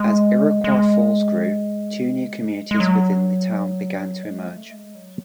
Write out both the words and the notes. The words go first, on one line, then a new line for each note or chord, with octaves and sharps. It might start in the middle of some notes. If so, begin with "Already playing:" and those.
As Iroquois Falls grew, two new communities within the town began to emerge.
Already playing: G#3
G#3
G#3
F#3
G#3
A3
G#3
F#3